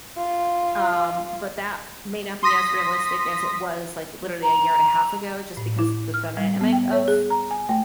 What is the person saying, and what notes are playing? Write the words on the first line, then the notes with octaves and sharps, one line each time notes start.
um, but that may not be as realistic as it was, like, literally a year and a half ago, just because the dynamic of
F4
C6 D#6 A#6 B6
A#5
A2
E4
F6
G3
B3
G5
C#5
G#4
A#5
G#5
A3